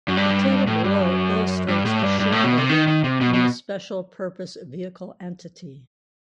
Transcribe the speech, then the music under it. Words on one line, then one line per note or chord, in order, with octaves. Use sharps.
The table below illustrates the shareholding in the special purpose vehicle entity.
F#2
G2
A2
G2
F#2
G2
A2
G2
G2
A2
B2
C3
D#3
D#3
C3
B2
B2